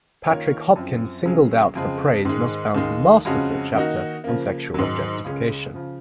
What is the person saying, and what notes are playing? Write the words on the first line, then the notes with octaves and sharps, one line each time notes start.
Patrick Hopkins singled out for praise Nussbaum's "masterful" chapter on sexual objectification.
D#3 A#3 F4 A#4 C#5
F#2 F3 C4
C3 F#3 C#4 G#4
F2 C#3 G#3 C4
G#2 D#3 G#3
D#2 D#3 G#3
F2 C#3 G#3 C#4 F#4
D#3 A#3 D#4 F#4
C#3 F3 A#3
G#2 D#3 F#3
C#2 C#3 G#3 C#4 G#4
C#3 F3